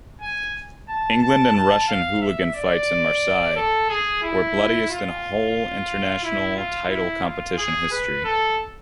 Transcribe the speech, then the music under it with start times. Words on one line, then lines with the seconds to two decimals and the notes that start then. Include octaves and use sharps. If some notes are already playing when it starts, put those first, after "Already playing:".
England and Russian hooligan fights in Marseille were bloodiest in whole international title competition history.
0.21 G#5
0.88 A5
1.22 A5
1.55 A5
1.88 F5
2.21 E5
2.55 D5
3.56 A4
3.89 G#4
4.23 E4
4.90 F4
6.24 E4
6.57 F4
6.90 E4
7.24 F4
7.57 G#4
7.91 B4
8.24 A4